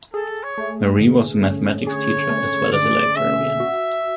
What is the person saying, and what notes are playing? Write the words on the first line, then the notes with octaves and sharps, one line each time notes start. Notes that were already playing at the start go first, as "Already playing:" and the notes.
Marie was a mathematics teacher as well as a librarian.
G#4 A4
C#5
A3
D3
C#4
G#4 C#5
A3
D3 D5
C#4 E5
F#4